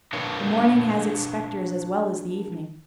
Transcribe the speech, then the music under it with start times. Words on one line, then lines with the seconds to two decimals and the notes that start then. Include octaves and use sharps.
The morning has its spectres as well as the evening.
0.13 D4 A#4 B4 C#5 F5 A5